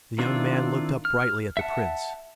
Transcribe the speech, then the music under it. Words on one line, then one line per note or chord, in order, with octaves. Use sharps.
The young man looked up brightly at the Prince.
D#3 C4 D4 E4 F4
F6
E5 F#5 A5